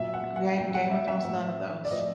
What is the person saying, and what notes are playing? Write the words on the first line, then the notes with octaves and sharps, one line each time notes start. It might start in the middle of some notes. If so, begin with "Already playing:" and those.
Gain Game of Thrones, none of those.
Already playing: A#2 F#3 E5
F#5
F#5
A#2 F#3 G5
F#5
E5
E5
A2 F3
D5
A2 F3 D#5